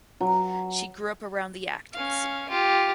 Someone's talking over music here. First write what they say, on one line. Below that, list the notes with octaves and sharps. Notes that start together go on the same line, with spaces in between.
She grew up around the acting scene.
F#3
C#4 F5
F4 G4